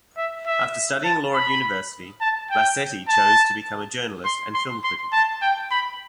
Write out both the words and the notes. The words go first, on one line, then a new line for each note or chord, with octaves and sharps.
After studying law at university, Blasetti chose to become a journalist and film critic.
E5
E5
A5
B5
A5
G5
A5
C6
C6
C6
A5
G5
B5